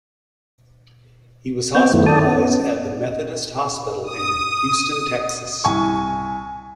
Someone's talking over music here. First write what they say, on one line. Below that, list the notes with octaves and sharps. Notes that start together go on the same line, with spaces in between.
He was hospitalized at The Methodist Hospital in Houston, Texas.
B3 C4 G5
F#2 D#3 A3 B3 E4
D#3 A4 D5 A5 D#6
B3 C#4
D#6
C2 G#5 C#6